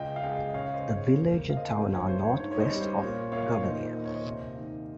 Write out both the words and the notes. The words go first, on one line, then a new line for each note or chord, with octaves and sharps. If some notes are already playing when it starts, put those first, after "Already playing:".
The village and town are northwest of Gouverneur.
Already playing: C#2 D#5 G5
F5
G#3 D#5 G5
D#5
C#3 C#5 F5
C5 D#5
C#3
C#5
A#3 C5
A#3 F5
C5 D#5
G2 C5
C#5
G2 C5
C#5
G#2 C#5
C#5
C5 D#5
G3
C5
A#2 C#5
A#2 C#5 F5
D#3 C5 D#5
D#2 D#5
C#5
C5 D#5
C3
D#3